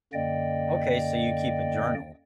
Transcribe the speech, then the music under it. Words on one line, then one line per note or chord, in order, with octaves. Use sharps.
Okay, so you keep a journal.
F#2 D3 A#3 D5 D#5 G5